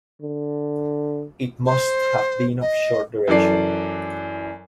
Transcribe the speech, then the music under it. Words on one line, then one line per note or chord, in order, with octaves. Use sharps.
It must have been of short duration.
D3
C5
D#5
F#2 E3 A4 D5 C7